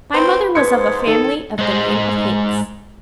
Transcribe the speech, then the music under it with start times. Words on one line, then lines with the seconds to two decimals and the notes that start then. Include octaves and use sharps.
My mother was of a family of the name of Hanks.
0.14 C4 B4
0.55 G#2 B4 C5 G#6 C#7
1.07 D#3 A4
1.59 G#3 C5 D#5